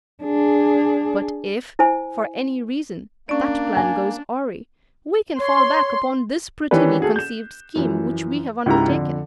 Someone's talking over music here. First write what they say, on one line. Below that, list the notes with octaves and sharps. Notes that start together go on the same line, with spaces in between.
But if, for any reason, that plan goes awry, we can fall back upon this prettily conceived scheme which we have undertaken.
D4 G#4
E4 C5 G#5
A#3 C#4 D4 D5
G#5
C#5 C6
D#3 E3 C#4 D4 G4 B4
F#4 G#4 A4
G6 E7
F#2 E3 F3
C#2 G#2 E4 G4 A#5
F2 D3